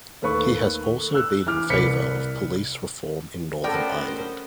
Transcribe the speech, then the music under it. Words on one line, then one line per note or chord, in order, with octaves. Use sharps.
He has also been in favour of police reform in Northern Ireland.
D#2 A3 B4 C#6
E6 F#6
E3 D6 F6
C2 B4 B6 C#7
A3 B3 C#4 A4 A#4 C5 D5 G5